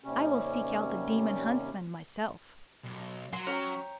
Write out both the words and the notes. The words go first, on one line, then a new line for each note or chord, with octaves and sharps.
"I will seek out the demon huntsman myself."
D#2 C3 G3 C#4
B1
F#3 C6
C#4 C#5 G5 A#5